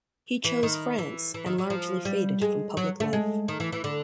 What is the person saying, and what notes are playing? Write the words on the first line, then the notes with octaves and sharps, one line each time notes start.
He chose France and largely faded from public life.
E3
D#3
E3
E3
D#3
F#3
F3
G3
G#3
F#3
A3
G#3
D#3
E3
E3
D3